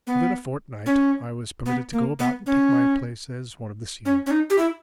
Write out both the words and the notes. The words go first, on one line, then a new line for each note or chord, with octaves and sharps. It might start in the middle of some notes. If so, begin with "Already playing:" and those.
Within a fortnight I was permitted to go about and take my place as one of the seamen.
B3
C#4
B3
A#3
B3
C#4
C#4
C#4
D#4
G4
E4